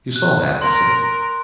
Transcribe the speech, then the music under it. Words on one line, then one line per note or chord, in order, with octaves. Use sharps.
"You saw that?" he said.
F#6
A#4 C6